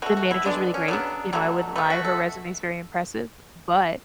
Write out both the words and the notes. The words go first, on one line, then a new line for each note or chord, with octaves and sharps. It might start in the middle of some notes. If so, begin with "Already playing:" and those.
the manager's really great. You know, I wouldn't lie. Her resume is very impressive, but
B2 A3 F#4
F#4
E4
D3 G#3 B3 D4
C#4
C#3 F#3 B3 D4
B2 F#3 A3
B2 A3 B4
F#4
A4